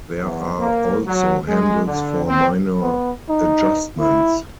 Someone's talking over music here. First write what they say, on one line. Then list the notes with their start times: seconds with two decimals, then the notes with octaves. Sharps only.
There are also handles for minor adjustments.
0.21 E2
0.60 A#3
1.07 F#3
1.47 G#3
1.86 D3
2.27 C4
2.82 B3
3.29 D#4
4.00 E4